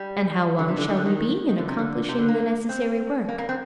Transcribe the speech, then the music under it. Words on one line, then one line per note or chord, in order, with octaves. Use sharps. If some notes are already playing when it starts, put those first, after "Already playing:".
"And how long shall we be in accomplishing the necessary work?"
Already playing: G3
D3
C3
D3
D#3
D3
D#3
D#3
D3
C3
D3
C3
D3
A#3
C4
A#3
A#3
C4